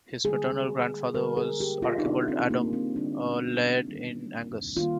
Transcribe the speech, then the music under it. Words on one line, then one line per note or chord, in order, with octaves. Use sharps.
His paternal grandfather was Archibald Adam, a laird in Angus.
D3 G3 A#3 G#4
D3 G3 A#3 A#4
G#4
G4
F4
D#4
D3 G3 A#3 D4
C4
A#3
C4
D3 G3 A#3 D4
D#3 G3 A#3
D#3 G3 A#3 F4